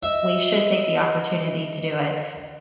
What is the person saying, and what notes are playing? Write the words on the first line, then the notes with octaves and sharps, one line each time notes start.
we should take the opportunity to do it,
D#5 E5